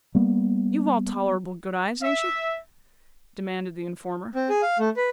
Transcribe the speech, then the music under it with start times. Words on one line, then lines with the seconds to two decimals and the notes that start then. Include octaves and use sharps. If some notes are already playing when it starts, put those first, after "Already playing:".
You've all tolerable good eyes, ain't you?' demanded the informer.
0.15 G3 A#3 B3
2.02 E5
4.35 C4
4.49 G#4
4.62 F5
4.79 A3
4.97 B4